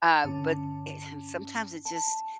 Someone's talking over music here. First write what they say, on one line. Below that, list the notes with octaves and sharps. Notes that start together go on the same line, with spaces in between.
uh, but, eh and sometimes it's just
G2 D3 C#4 A5
A5